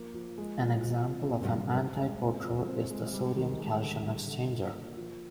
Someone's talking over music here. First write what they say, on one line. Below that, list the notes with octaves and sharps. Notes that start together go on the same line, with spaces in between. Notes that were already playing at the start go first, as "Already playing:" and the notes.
An example of an antiporter is the sodium-calcium exchanger.
Already playing: F3 A#3
F3
G#3
F3
F3
C3
A#3
G3
C4
G#3
C4
F3
C4
G#3
G3
D#3
G#3
D3
G3
D3
F4
A#3
F3